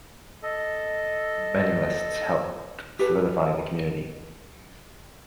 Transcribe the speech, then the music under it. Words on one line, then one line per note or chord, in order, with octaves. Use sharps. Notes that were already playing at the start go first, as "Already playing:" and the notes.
Mailing lists helped solidify the community.
A4 D#5
G4 A4 B4